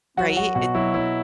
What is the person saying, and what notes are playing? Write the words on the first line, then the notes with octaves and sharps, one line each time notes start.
Right, it
F#3 F#4
F#3 F#4
B2 F#4
F#3 E4
F#3 E4